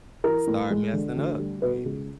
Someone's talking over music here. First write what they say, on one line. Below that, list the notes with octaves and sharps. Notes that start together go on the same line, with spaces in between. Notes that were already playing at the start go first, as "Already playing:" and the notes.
and started messing up. Y yes,
E3 A#4
A2
G#3
D3
D2
G3
B2 B4
C#2